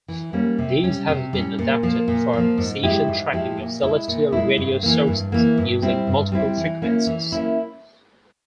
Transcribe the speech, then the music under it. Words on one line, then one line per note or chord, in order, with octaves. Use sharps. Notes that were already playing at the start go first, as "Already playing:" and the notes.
These have been adapted for precision tracking of celestial radio sources using multiple frequencies.
E3
G3 A#3 C#4
C3
G3 C#4
C3
G3 C#4
A#2
F3 A#3
A#2
F3 A#3
G#2
F3 G#3 E4 G4
G#2
F3 G#3 E4 G4
A#2
G#3 E4
A#2
G#3 E4
G2
E3 A#3
G2
E3 A#3
G2
G3 C4 E4
G2
G3 C4 E4
E3
A#3 C#4 E4
E3
A#3 C#4 E4